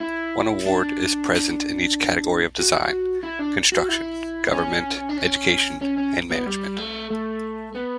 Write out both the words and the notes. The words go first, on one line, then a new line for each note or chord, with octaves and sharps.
One award is present in each category of design, construction, government, education, and management.
E4
D4
F#4
E4
D4
F#4
E4
C#4
D4
C#4
C#4
C#4
B3
G3
A3
A3
B3